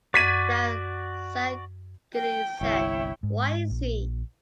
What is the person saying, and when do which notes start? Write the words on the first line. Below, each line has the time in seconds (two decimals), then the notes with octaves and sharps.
That Sangili said, "Why is he?"
0.14 F#2 F#4 D5 G#6 B6 D#7
2.15 G5
2.61 G1 C2 E4 C#5 G5
3.23 G#2
3.70 A#1